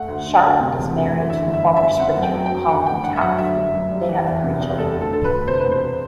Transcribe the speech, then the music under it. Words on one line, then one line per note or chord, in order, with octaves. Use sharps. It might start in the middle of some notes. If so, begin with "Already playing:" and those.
Sharpe is married to former sprinter Colene Taffe, they have three children.
Already playing: A3 F#5
D2
D3
D2
C3
E1
D2
E3
D3 E5
G1
E5
G2
E5
G1
C4 F#5
F#2
G5
F#3
G5
F#2
D3 F#5
A1 G5
G2 F#5
E5
F#3 F#5
D3 E5
G1
F#2
G3
E3
E2
C3
E2
G3 A4
D2
A4
D3 A4
B4
D2
C3 C5
B4
E1
C5